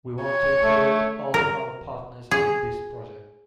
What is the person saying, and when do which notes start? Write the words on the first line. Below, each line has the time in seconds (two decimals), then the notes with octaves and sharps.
We want to include all of our partners in this project.
0.24 C#5
0.63 A3
1.34 A#4
2.31 G#4